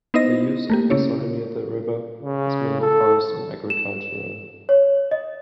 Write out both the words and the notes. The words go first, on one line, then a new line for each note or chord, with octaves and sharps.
The use of the soil near the river is mainly forest and agricultural.
B3 D#4 E4 C5 D#5 A#6
A3 A#3 G4
C#3 C#4 E4 C#5
C#3
A4
E7
C#5
D#5